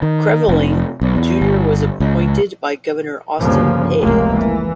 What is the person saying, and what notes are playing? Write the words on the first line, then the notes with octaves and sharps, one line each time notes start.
Creveling, Junior was appointed by Governor Austin Peay.
D#3
F1
B1
E2
G1
C#2
D2 G2 C#3 F3 A#3
F1 C#2 G#3 A#3
E3